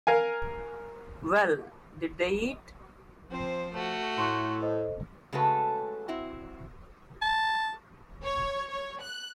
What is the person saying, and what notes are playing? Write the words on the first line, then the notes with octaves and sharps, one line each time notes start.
Well, did they eat.
A#4 F5 G#5
F3 C4 C5
A3 F#4
A2 C6 C#6 F#6
A4 C5 D#5
C#3 G#3 A3 F#4 A4 B4
C4 E4 F#4
A5
C#5
C#5
F#6